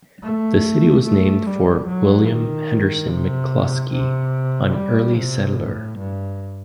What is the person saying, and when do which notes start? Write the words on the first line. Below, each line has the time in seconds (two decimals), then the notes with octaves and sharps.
The city was named for William Henderson McClusky, an early settler.
0.23 A3
1.05 A3
1.47 G3
1.88 F#3
2.28 D#3
3.11 C3
3.92 C3
4.74 G3
5.16 C3
5.56 A2
5.99 G2